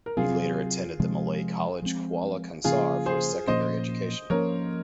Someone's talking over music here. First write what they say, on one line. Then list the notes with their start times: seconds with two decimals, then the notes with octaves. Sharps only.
He later attended the Malay College Kuala Kangsar for his secondary education.
0.06 A#4
0.17 C3 F#3 C4 F4 G#4
0.99 C3 F3 G#3 C4
1.82 F3 G#3 C4
2.64 C#3 F3 A#3 C#4 F4 G#4
3.06 G#4 C5
3.47 A#2 F3 A#3 C#4 C5 D#5
4.30 F3 A#3 C#4 A#4 C#5